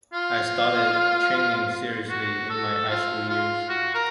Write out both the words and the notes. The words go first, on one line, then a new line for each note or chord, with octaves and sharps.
I started training seriously in my high school years.
F4
F#4
A4
F4
F4
F#4
A#4